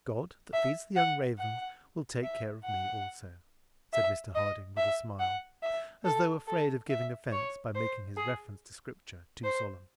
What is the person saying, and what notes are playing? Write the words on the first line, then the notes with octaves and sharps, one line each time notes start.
"God, that feeds the young ravens, will take care of me also," said Mr Harding, with a smile, as though afraid of giving offence by making his reference to scripture too solemn.
E5
F#5
F#5
E5
F#5
E5
D#5
E5
F#5
E5
A4
A4
E5
C#5
C5
G#4
C5